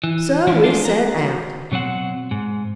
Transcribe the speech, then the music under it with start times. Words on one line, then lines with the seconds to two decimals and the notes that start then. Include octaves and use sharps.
So we set out.
0.04 E3
0.47 E3 F3 G#3 C#4 D4
0.64 F3 G#3 D4 F4
0.85 F#4 A#5
1.72 B2 F#3 C4 F#5
2.31 G#2